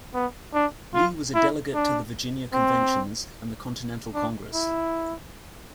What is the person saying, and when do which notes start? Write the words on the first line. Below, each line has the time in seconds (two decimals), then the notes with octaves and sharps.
Lee was a delegate to the Virginia Conventions and the Continental Congress.
0.14 B3
0.54 D4
0.94 F4
1.35 E4
1.75 D4
2.54 C4
4.15 D4
4.54 E4